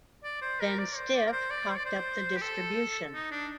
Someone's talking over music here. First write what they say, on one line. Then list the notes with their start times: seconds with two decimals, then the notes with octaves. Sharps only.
Then Stiff cocked up the distribution.
0.24 D5
0.41 C5
0.60 A#4
0.78 D5
0.97 C5
1.14 D5
1.26 A#4
1.32 C5
1.50 D5
1.69 C5
1.77 D5
1.85 C5
2.36 G4
2.41 A4
3.14 D#4
3.31 D4